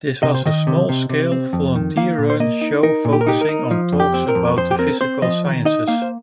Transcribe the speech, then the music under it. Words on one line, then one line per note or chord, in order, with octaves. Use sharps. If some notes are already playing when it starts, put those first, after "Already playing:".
This was a small scale, volunteer-run show focusing on talks about the physical sciences.
C3 D#5
C5
D#3 D#5
C3
C3
C3
C4
F2
D#3
A#3 F5
A#2
C5
A#3 D#5
D#4
D#4 A#4
A#2
G4
A#4
D#4 G4
A#4
D#4
F3
F2
G4
C4
A#4
F2
F2 C5
G4
C4 A#4
C4 C5
F3 D#5
D#3
D#4 D#5
A#3 F5
C5